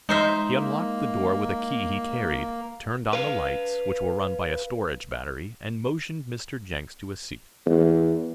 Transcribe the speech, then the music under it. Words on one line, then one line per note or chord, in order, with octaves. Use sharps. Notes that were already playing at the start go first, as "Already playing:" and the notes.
He unlocked the door with a key he carried, turned on the lights, which were run by a storage battery, and motioned Mr. Jenks to a seat.
G#3 D#4 C5 E5
A#3
B4 F5
E2